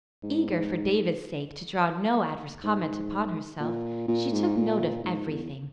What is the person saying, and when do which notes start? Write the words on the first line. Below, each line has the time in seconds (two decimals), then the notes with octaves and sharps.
Eager, for David's sake, to draw no adverse comment upon herself, she took note of everything.
0.23 G#2
2.63 G#2
3.60 A#2
4.08 A#2
4.32 G#2
4.56 A#2
5.04 G#2
5.28 E2